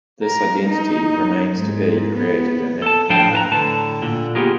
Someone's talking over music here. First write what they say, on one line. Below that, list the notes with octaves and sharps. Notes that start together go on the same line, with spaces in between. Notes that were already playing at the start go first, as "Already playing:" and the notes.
This identity remains to be created in Africa.
A#4
D#4
G#2
B3
A4 A5
A2 F3 D4 F5 G5 A5
B4 A5 A#5
A2 D3 A5
A#2 D3
B3 F4 G4 G#4 A#4